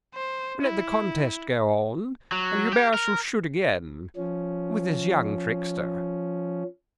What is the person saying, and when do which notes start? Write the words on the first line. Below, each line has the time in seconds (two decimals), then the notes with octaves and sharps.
"Let the contest go on: and Hubert shall shoot again with this young trickster."
0.14 C5
0.62 E4
2.32 F#3
2.73 G4
2.94 A#4
4.16 F3 C#4